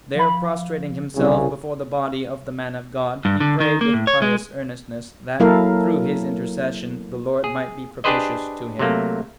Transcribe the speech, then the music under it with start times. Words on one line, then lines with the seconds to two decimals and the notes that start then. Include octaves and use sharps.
There prostrating himself before the body of the man of God, he prayed with pious earnestness, that, through his intercession, the Lord might be propitious to him.
0.15 F3 B5
1.16 C2 C#3
3.25 G2
3.40 D3
3.60 D#3
3.81 A#3
3.93 A2
4.07 C#5
4.22 G#3
5.40 F#3 A#3 E4 A4 A#4 F5
7.44 G#4
8.04 D4 G4 G#4 B4 C5 D#5
8.79 C3 F#3 A3 A#3